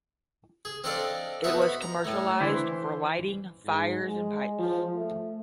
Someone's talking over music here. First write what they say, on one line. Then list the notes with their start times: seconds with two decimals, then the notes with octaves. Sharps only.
It was commercialized for lighting fires and pipes.
0.65 G#4
0.84 C4 D4 A4 D5 D#5 F5
1.44 B3 D#4 F#4 C5 E5 F#5
1.62 B5
1.82 A#5
2.05 A2 A3
2.40 D3 E3 E4 C5 C6
2.54 C5
3.65 G#2
4.07 G#3
4.59 F3
4.95 A3